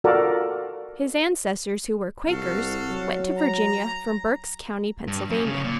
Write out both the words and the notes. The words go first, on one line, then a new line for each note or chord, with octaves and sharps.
His ancestors, who were Quakers, went to Virginia from Berks County, Pennsylvania.
F4 F#4 A4 A#4 D5
C2 F#4 A4 F5
F#3
A#5
G2
F#2
C#3
A#2